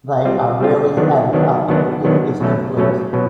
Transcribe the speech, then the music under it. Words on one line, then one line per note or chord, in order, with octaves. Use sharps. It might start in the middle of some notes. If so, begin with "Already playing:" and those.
They are rarely added after cooking is complete.
G3 C4 F4
G3 C4 F4
D#3 F#3 B3 D4
D#3 F#3 B3 D4
D#3 F#3 B3 D4
D#3 F#3 B3 D4
B2 F#3 A3 C#4
B2 F#3 A3 C#4
B2 F#3